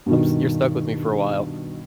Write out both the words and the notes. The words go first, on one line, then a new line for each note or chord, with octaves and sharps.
I'm s you're stuck with me for a while."
G2 B2 D#3